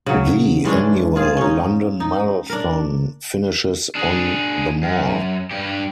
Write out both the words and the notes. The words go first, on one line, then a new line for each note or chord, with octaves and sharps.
The annual London Marathon finishes on The Mall.
C#3 F#3
E3 G#3 C#4 D4
F4 G#4
C#4 D#4
D#4
D4 A#4
D4 G#4
F#2
G2 G4